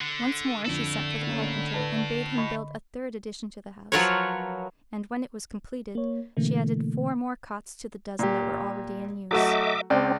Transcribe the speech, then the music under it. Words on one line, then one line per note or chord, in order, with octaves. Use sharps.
Once more she sent for the carpenter, and bade him build a third addition to the house; and when it was completed she added four more cots to the dozen that were already in use.
D3
F2 D3 D4 E4 A4 F#7
A3 A#3 C#4
B4 D5 A5
D#5 B5 C#6
F3 F#3 F4 A#4 B4 C#5
A#3 C#5
B2 D3 E3 A3 A#3
A#2 G4
F#3 A3 F#4 D#5 E5 D6
C#2 C4 D5